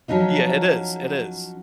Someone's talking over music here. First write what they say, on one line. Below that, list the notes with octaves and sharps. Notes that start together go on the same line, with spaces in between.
Yeah, it is, it is,
F3 F#3 C#4 D#4 F4